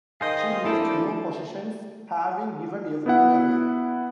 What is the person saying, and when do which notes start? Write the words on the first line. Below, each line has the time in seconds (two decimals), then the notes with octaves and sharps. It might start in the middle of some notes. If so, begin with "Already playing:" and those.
She left no possessions, having given everything away.
0.21 D#3 G#4 C5 D#5 F5 G5
0.64 F3 A#3 C4 D4 E4 A4
3.06 B3 E4 F#5